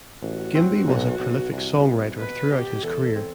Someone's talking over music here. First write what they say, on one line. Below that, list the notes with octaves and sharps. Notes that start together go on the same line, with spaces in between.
Gimby was a prolific songwriter throughout his career.
A1 F#4
C4
B1
B1
C2
B3
B2 B4
B2 G4
E2 A4
C4